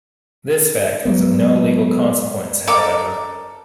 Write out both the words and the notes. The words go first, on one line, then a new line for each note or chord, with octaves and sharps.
This fact was of no legal consequence, however.
F#3 G#3 B3
A4 A#4 D6